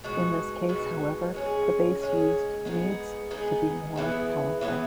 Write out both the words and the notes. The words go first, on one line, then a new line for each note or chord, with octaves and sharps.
In this case, however, the base used needs to be more powerful.
B2 G#3 D#4 F#4
B2 G#3 D#4 F#4
G#3 C#4 G#4
G#3 C#4 G#4
G#3 B3 D#4 G#4
G#3 B3 D#4 G#4
E3 B3 E4 G#4
E3 B3 E4 G#4